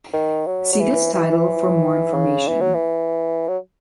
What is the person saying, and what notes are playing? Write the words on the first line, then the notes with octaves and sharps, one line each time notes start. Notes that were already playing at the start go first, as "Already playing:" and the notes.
See this title for more information.
D#3
F#3
F#3
E3
E3
C#3
E3
F#3
E3
F#3